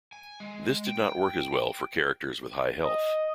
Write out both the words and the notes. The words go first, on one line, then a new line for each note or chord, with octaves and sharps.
This did not work as well for characters with high health.
G#5
G#3
G5
D#5